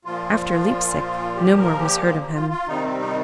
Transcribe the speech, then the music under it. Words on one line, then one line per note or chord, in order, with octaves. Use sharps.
After Leipsic no more was heard of him.
A#2 F3 F4
G4
A#4
G4
A#3
F4
F4
C3 D#3 G3 D#4
C4
D#4